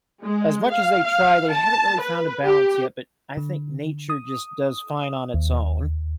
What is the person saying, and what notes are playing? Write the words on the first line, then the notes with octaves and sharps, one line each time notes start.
as much as they try, they haven't really found a balance yet, but I think nature just does fine on its own.
G#3
F5
F5
A5
B4
G4
D3
D#6
D#2